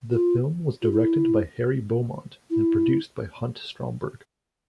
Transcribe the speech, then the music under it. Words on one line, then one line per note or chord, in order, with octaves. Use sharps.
The film was directed by Harry Beaumont and produced by Hunt Stromberg.
F4
F4
E4
E4